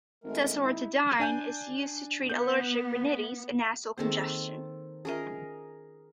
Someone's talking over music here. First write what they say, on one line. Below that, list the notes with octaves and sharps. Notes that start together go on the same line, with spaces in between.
Desloratadine is used to treat allergic rhinitis and nasal congestion.
G#1 G#3 A3 A#4
D#4 E4
D4 G#5 G6
B3 G6
D#3 A#3 C4 G#4 A4 C5
C#4 F4 G#4 A#4 D#5 E5